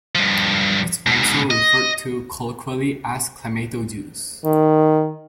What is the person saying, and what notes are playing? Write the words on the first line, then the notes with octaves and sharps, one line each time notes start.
It is also referred to colloquially as "clamato juice".
G2 F3
G#2 B2
D#5
D#3